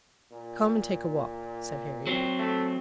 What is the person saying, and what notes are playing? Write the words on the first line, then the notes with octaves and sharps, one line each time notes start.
"Come and take a walk," said Harry.
A#2
F#3 C4
A3